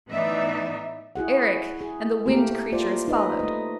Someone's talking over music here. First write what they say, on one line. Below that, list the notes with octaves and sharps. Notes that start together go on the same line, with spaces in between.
Eric and the Wind Creatures followed.
A2 E3 B3 D#4 D5 E5
E4 F#4 G#4 F#5
G#4
A3 A#3 G4 A#4
F4 C5 D5
D#4 B4 D#5
A3 D#5